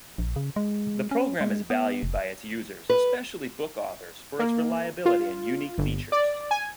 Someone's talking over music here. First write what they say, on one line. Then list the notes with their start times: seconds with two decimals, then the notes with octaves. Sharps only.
The program is valued by its users-especially book authors-for its reliability and unique features.
0.18 A#1
0.36 C#3
0.56 G#3
1.11 C#4
1.41 G#3
1.70 B3
2.03 F1
2.89 B4
4.39 A#3
5.06 F4
5.78 G1
6.12 D5
6.51 G#5